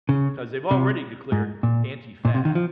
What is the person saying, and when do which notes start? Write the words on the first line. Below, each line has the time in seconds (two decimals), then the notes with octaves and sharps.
'Cause they've already declared Antifa,
0.09 C#3
0.71 C3
1.32 G#2
1.63 A#2
2.25 A#2
2.34 C3
2.45 D#3
2.55 F3